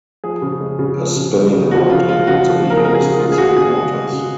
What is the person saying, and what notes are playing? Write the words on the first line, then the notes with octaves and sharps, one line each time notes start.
A spinning rod can also be used in some waters.
F3 G#4
C#3
G#3
C#3
F3
C#3
G#3
C#3
F3 F#4
C#3 F4
G#3 F4
C#3 F#4
F3
C#3
A#4
G#4
G#3 A#4
G#4
C#3
G#3 F4
G#4
C#3 F#4
C#3 G#4
G#3
G#3
C#3